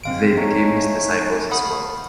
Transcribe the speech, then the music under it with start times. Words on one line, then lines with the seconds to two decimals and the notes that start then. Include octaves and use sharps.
They became his disciples as well.
0.04 G#3 C4 F5 D7
0.37 A3 C#4 D#4 C#5
1.51 F5 F#5 B5 D#6